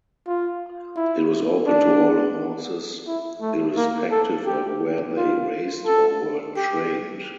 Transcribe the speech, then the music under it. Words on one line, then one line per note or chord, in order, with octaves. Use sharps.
It was open to all horses irrespective of where they raced or were trained.
F4
E4
D4
E4
A3
A#3
A4
G4
F4
A4
G4